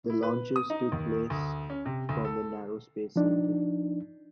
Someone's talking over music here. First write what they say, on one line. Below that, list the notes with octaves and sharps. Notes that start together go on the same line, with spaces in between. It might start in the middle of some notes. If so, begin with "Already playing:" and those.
The launches took place from the Naro Space Center.
E4
B4
D#6
D#4
D#2
D2
C#4
C3
D2
A4
F3 D4 D#4